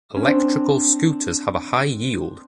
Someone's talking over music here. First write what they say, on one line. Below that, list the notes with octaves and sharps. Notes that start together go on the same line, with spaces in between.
Electrical scooters have a high yield.
C#4
C4 D4